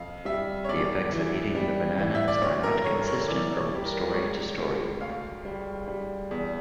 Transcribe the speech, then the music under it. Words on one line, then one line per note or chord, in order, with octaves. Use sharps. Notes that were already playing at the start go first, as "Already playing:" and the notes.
The effects of eating the bananas are not consistent from story to story.
Already playing: F2 F5
G3 E5
C#5
E2 D5
E3
G3
E3
E5
D5
D2 C#5
A#4
A#4
D3 C#5
A#4
C#5
E3 D5
C#5
G3
A#4
D5
C#2 C#5
C#2
D2 F5
G3
G3
E2